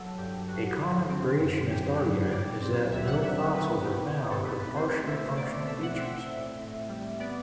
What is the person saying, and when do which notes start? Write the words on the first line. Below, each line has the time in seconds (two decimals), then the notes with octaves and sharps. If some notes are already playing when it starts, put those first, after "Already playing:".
A common creationist argument is that no fossils are found with partially functional features.
Already playing: F#3 A4
0.18 G2 G4
0.48 G2 F#4
0.79 D3
1.09 C4
1.40 F#2
1.70 F#2 G4
2.01 F#3
2.31 G3 D5
2.62 C4
2.92 D2 E5
3.07 F#5
3.23 D3 E5
3.38 E5
3.53 C4 B4
3.84 B2 G4
4.14 B2 G4
4.30 A4
4.45 A3 B4
4.60 B4
4.76 C4 C5
5.06 B2 E5
5.36 B2 D5
5.52 E5
5.67 A3 E5
5.83 F#5
5.98 C4 E5
6.28 A2
6.58 A2
6.89 G3
7.19 B3 D5